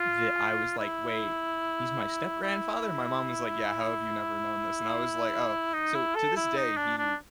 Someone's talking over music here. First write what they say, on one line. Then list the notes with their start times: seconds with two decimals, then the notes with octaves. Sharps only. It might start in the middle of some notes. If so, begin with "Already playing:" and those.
that I was like, "Wait, he's my step-grandfather?" My mom was like, "Yeah, how have you never known this?" And I was like, "Oh," so to this day, he
Already playing: F4
0.78 E4
2.43 E4
5.74 D#4
5.95 E4
6.15 A4
6.37 E4
6.57 D#4
6.77 D4
6.98 D4